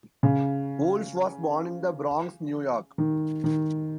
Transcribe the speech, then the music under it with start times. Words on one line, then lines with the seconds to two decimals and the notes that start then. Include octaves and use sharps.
Wolf was born in the Bronx, New York.
0.23 C#3
2.98 D#3
3.44 D#3